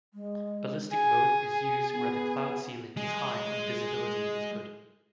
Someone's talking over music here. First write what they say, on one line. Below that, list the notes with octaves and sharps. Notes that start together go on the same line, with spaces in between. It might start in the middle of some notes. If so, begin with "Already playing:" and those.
Ballistic mode is used where the cloud ceiling is high and visibility is good.
G#3
G#4 G#5
B3
G#3 G#4